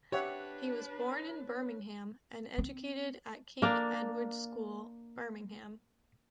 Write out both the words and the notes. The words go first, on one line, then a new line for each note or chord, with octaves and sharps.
He was born in Birmingham, and educated at King Edward's School, Birmingham.
D4 G4 B4 C#5 E5 F#5
C4
A#3 D4